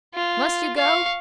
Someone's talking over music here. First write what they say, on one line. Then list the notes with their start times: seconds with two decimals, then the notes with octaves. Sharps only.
Must you go?
0.15 F4
0.77 F5 C#6